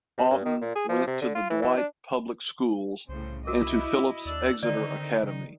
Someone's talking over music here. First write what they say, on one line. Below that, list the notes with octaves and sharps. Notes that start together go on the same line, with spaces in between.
Oughton went to the Dwight public schools and to Phillips Exeter Academy.
C3
G2
D#3
A#2
G#4
F3
C3
D3
F4
E3
E3
D4
C2 A2 C#3 C5
E4 F#4 A#4 D#5 E5 D6
D#2 D4 D5 E6
D3 D#3 C4 D#4 D5
C#3 D#4